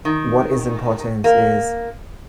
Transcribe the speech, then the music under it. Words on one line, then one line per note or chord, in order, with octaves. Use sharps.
what is important is
D#3
A#3